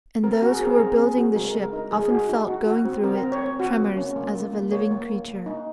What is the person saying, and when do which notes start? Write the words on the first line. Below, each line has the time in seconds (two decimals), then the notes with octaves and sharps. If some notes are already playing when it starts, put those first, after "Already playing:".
And those who were building the ship often felt going through it tremors as of a living creature.
0.24 C4 A#4
0.42 F#4
0.51 G#4
0.61 C4 A#4
0.79 C4 G#4
0.98 C4
1.07 G#4
1.17 F#4
1.36 G#3 A#4
1.54 G#3
1.64 A#4
1.73 D#4
1.91 G#3 G#4
2.10 F#4
2.29 D#4
2.47 F#4
2.66 F#4
2.85 C4
3.04 C4 A#4
3.23 C4
3.32 C#5
3.41 C4
3.60 F#4
3.78 A#3
3.97 C#4
4.16 A#3
4.35 A#3
4.53 A#3
4.72 A#3 C#5
4.91 A#3
5.09 A#3
5.28 A#3
5.46 D#4